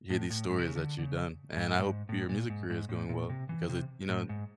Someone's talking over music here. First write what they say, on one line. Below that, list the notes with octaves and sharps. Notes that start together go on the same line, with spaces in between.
hear these stories that you've done, and I hope your music career is going well, because it you know, an
A2
A2
G#2
C3
C#3
D3
D3
C#3
G#2
A2
G#2
A2
A#2
G#2
G#2
A2
A#2
C3
E3
C3
A2
G#2